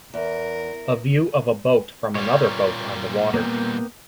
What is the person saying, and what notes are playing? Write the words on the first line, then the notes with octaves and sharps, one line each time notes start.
A view of a boat from another boat on the water.
E2 A#4
A#2 G3 C#5
A#3 B3 G5